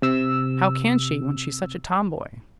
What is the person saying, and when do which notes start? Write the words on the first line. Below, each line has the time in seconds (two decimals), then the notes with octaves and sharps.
"How can she, when she's such a tomboy?"
0.02 C3 E6